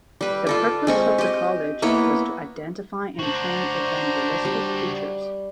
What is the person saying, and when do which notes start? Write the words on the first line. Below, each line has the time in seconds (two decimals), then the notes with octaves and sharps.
The purpose of the college was to identify and train evangelistic preachers.
0.21 G3 B4
0.47 F4 A4 D5
0.87 G#3 C4 C#6
1.18 G4 D#5
1.82 A#3 B3 E4 C#5
3.19 D4 F#4 C5 A#5
4.45 G3